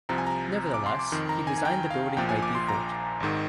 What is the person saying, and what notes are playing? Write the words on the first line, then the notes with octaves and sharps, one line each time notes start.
Nevertheless, he designed the building by default.
C2 C3 F3 A#5
G#5
A#5
D6
C6
D6
F2 D#3 C6
A#5
G#5
G#5
G5
F5
A#1 A#2 F3 G5
G#5
D6
C6
A#5
G#1 G#2 D#3